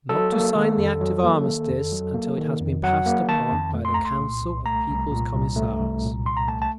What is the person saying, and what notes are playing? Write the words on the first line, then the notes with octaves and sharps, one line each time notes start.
Not to sign the act of armistice until it has been passed upon by the Council of People's Commissars.
F#3 A4
A#3
D#3
F2
F#3
A#3
D#3
F2
F#3
A#3
D#3
F2
F#3 F#5
A#3
D#3 A5
F2
A3
C6
C2 A#5
C6
A#2
C2
A3 A#5
C2
A#2
C2
A3
C2
A#2
C2 C6
A#5
A3 A5
A5